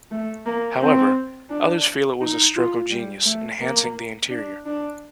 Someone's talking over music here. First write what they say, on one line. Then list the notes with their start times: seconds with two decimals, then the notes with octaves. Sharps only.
However, others feel it was a stroke of genius, enhancing the interior.
0.11 A3
0.46 A#3
0.81 C4
1.50 D4
2.21 D#4
2.56 F4
2.91 G3
3.26 A3
3.60 A#3
4.31 D4
4.66 D4